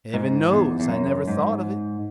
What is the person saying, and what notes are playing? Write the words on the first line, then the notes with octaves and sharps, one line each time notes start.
Heaven knows I never thought of it.
G#2
E2
E2
F#2
G#2